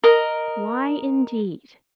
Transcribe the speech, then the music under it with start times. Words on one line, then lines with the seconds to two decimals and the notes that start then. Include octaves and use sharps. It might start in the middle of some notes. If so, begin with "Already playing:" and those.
Why, indeed?
0.04 A#4 D#5